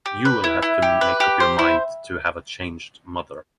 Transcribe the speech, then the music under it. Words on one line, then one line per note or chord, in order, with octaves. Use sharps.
You will have to make up your mind to have a changed mother.
G4
B4
E4
E4
G4
B4
G4
C5
E4